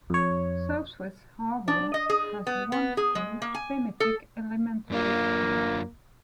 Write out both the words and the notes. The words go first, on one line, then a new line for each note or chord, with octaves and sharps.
Southwest Harbor has one school, Pemetic Elementary School.
F2 C#5
D4
D#5
G#4
B3
B3
G#4
G#3
A#3
G#5
A4
F#2 A#3 D4 F4